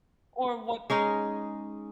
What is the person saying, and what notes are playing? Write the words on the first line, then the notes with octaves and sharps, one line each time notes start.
Or what
G#3 C#4 D#4 G#4